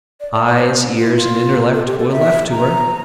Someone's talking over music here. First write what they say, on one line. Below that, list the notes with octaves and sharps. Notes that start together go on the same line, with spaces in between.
Eyes, ears, and intellect were left to her.
D5
D5
D5
C5
F4
E4
F4
A4
G4
A4
E5
A#5